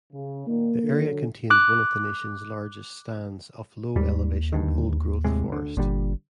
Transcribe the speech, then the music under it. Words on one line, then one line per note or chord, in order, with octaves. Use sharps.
The area contains one of the nation's largest stands of low-elevation old-growth forest.
C#3
A#2 D#3 A#3
D3 F#3 A4
D6 F#6
D#2 G#2 G3
D2 G2 D#3
A2 C3 G#3
D2 D3
G1 A#2 D3 G3